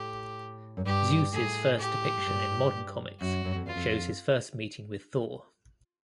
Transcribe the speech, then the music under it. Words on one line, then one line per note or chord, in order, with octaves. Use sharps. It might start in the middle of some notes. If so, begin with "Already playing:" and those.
Zeus' first depiction in modern comics shows his first meeting with Thor.
Already playing: A2 G4
F#2
G2 G4
A2 G#4
G4
G#2
G2
F#2 F#4
F#2
F2
E2 F4
F2